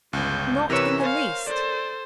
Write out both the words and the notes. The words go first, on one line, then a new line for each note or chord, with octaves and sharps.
"Not in the least."
G1 C#2 C#4 G6
C3 E3 A#4 B4 C#5 E6
C5 F5 G#5
A4 C5 D5